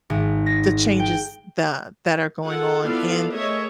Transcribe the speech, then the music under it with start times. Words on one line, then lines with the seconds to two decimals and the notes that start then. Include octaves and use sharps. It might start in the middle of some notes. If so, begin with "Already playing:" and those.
the changes that that are going on, and
0.10 G#1
0.46 A#6
0.99 G5
2.44 F4 G#4 A4 F#5
2.83 B3 E4 F4 A4 D5 F5
3.32 A3 G#4 A#4 C#5 D#5 E5